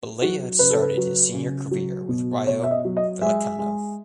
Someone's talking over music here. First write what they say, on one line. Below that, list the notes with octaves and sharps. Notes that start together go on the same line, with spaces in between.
Balea started his senior career with Rayo Vallecano.
F#3 F#4
C#3 B4
A4
B4
F#3
C#3
F#3
B2
B2 C#5
E5
D#5
F#3
D#5
G#3 E5
G#3